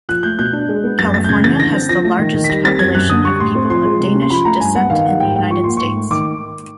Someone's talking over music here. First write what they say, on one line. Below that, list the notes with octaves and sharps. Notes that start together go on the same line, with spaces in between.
California has the largest population of people of Danish descent in the United States.
F3 F#6
A3 G6
B2 G6
D4
G#3
B3
F#2 A6
A3 A6
G6
C#3 G#6
E3 A6
D3 A#6
C4
F3 A#6
A3
D#3
D#3
B6
G3 A#6
C4 A6
F#2 G#6
F#2 F#6
D3 D#6
G3 C#6
A2 C6
C4
F3 C6
G#3
C3
C#4
C6
F3 B5
A3 A#5
G2 G#5
B3 F#5
D#3 F5
G3 F#5
G#2 G5
G#2 G5
F3 C#6
A#3 C6
G#2 C#6
A3
D#3 D6